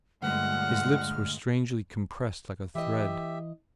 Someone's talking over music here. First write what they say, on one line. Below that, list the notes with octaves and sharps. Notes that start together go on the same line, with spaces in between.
His lips were strangely compressed like a thread.
G2 A#2 D3 G#3 A3 F#5 F6
E3 G4 D#5 E5